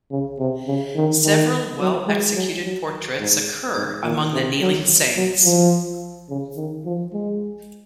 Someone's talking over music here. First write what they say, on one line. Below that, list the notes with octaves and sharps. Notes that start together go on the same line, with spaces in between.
Several well-executed portraits occur among the kneeling saints.
C#3
C3
C#3
D#3
D#3
F#3
G#3
F#3
F#3
G#2
G#2
A#2
C3
F#3
F#3
F3
C#3
D#3
F3
G#3